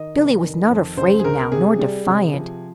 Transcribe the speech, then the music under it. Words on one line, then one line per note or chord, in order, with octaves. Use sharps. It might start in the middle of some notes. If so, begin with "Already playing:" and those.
Billy was not afraid now, nor defiant.
Already playing: D#3 D#5
F1
D#3
F2
C#2 C5
G#4
C#2 A#4
C3 G#4
G3
C3
F3